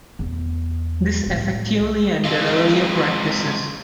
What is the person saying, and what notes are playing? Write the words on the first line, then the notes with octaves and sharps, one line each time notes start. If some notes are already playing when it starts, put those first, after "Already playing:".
This effectively ended earlier practices.
E2 B3
C2 A2
G#3 C4 F4